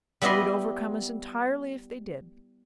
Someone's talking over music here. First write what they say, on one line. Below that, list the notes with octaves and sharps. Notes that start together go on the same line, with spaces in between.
They would overcome us entirely if they did.
G3 B3 E4 D5 D#5 C6